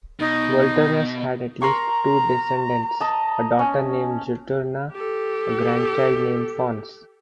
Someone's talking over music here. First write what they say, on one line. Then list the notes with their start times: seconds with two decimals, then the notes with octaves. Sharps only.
Volturnus had at least two descendants, a daughter named Juturna, a grandchild named Fons.
0.20 B2 D#4
1.62 A#4 A#5 C6 C#6
3.01 D#5 A5
3.59 C#4
4.92 G4 A4